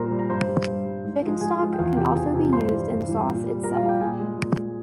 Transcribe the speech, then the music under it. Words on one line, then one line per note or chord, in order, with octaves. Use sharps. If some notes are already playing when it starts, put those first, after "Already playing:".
Chicken stock can also be used in the sauce itself.
Already playing: A#2 G3 A#4 C5 A#5 C6
G3
A#5
G2 C5 C6
G3
G2
G3
G#2
F3 G#3
G#2 G#4 G#5
F3 G#3
G5
E2 F4 F5
C3 F3 G4 G5
E2 G#4 G#5
C3 F3
G2 C5 C6
E3 G3
G2
E3 G3
A#2
G3
A#2 A#4 A#5
F4 F5
G3
G4 G5
A#2 G#4 G#5
G#3
A#2
G#3